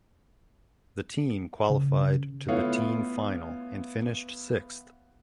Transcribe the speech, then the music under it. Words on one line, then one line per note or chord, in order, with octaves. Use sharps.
The team qualified to the team final and finished sixth.
C#3
A3 B3 E4 F4 C#5 F5